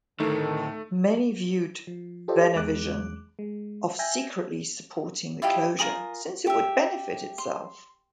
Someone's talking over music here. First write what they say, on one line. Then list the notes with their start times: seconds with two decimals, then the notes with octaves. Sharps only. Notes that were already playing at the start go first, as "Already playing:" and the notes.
Many viewed Venevision of secretly supporting the closure since it would benefit itself.
0.20 D2 A2 D#3 A3 D#4
1.87 F3
2.28 F4 G4 A4 C5 D5 D#5
2.55 E2 G#3 D6 F#6
3.39 G#3
3.99 E5 G5 G#5 G6 A#6
5.42 E4 F4 G4 D#5
5.79 F4 A#4 G#5 D#6
6.47 G4 E5
7.38 C6